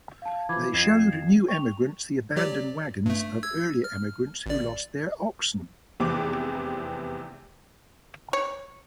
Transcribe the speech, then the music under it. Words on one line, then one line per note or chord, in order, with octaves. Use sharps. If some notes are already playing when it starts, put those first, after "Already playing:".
They showed new emigrants the abandoned wagons of earlier emigrants who lost their oxen.
F5 A5
E3 F3 B5 D6 G#6
F2 G#6 C7 E7
G5 C#6 F7
F#3 G4 D5
G2 A3
E6 G#6
F6
G#1 D5
F1 E2 C3 E3 C4 D6
C#5